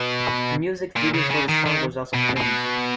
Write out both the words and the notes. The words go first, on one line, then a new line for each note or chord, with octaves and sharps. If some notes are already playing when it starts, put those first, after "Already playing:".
A music video for the song was also filmed.
Already playing: B2
A#2
C#3
C#3
D#3
D#3
B2
B2